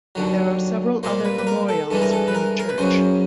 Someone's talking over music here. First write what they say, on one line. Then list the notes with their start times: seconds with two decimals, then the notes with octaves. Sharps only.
There are several other memorials within the church.
0.15 D#2 D3 F#3
1.03 A#2 G3 A#3 C5
1.25 B4
1.38 B4
1.47 A#4
1.68 A4
1.91 G2 E3 G#3 A4
2.02 A#4
2.12 A4
2.28 B4
2.35 A#4
2.59 A#4
2.69 B4
2.78 F#2 C#3 F#3 C5